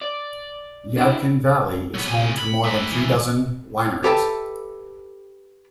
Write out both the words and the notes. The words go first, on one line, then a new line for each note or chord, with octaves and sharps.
Yadkin Valley is home to more than three dozen wineries.
D5
D4 E4
F#3 B3
C3 G#5
B5
A3 B4
C2 E3
G4 A4 B4 E5 G5 A5